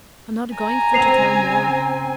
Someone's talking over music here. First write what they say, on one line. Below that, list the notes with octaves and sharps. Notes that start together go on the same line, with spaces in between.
I'm not going for to tell more.
G#5 A#5
C#3 C4 C5 C7 F7